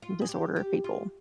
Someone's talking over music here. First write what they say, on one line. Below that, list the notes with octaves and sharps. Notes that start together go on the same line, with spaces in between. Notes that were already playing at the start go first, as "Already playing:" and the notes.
disorder people,
F4
G#4
G4
G4
F4